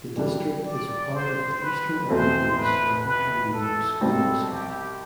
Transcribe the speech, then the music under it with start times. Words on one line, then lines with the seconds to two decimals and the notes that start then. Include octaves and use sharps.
The district is part of the Eastern Upper Peninsula Intermediate School District.
0.17 F#2 E3 G3 D4
0.65 D5
1.13 C5
1.61 B4
2.09 E2 B2 A3 C4 C5
2.57 B4
3.05 B4
3.53 A4
4.01 C2 B2 G3 C4 A4
4.49 G4